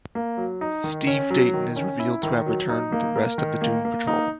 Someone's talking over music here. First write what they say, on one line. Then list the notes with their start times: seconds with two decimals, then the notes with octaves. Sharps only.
Steve Dayton is revealed to have returned with the rest of the Doom Patrol.
0.15 A#3
0.37 F#3
0.61 D#4
0.84 D#3
1.07 C#4
1.30 F#3
1.53 D#3
1.76 C#4
1.99 E4
2.23 D#3
2.46 F#3
2.69 D#4
2.92 A#3
3.16 A#4
3.38 D#3
3.61 A#3
3.85 A#3
4.07 D#4